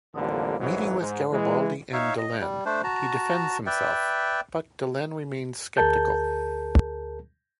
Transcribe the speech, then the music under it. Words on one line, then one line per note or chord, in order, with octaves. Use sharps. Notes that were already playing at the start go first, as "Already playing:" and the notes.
Meeting with Garibaldi and Delenn, he defends himself, but Delenn remains skeptical.
A1 F2 D3 G3 A#3
A#1 F2 G#2 E3 F#3
G#2
E3 G#3
D#4 C#5 E5 F5
D#5
G3
A3 D4 C5
F#4 A5 A#5
B4 D5 E5 G5
D2 G#4 A#4 A5 G6